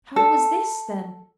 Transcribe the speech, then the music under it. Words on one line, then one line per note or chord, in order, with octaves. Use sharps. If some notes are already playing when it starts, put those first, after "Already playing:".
How was this, then?
A4